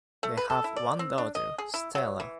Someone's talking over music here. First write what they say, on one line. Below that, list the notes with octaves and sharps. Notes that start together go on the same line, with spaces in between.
They have one daughter, Stella.
A3
B4
A4
E4
D5
C4
D4
D#5
G#4
E4
F#3
E3